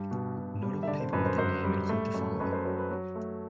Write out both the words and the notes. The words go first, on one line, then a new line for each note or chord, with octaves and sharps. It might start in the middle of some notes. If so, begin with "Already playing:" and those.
Notable people with the name include the following.
Already playing: G2 G3
B2
B2
G3
E5
D3 D5
C5
F#2 B4
C5
F#2 C5
G3
A3
F#2
F#2 B4
C5
F#3 C5
B4
F#3
A3